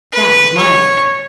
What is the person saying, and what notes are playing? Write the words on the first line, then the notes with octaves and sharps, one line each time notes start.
'That is my affair.
B4
C#5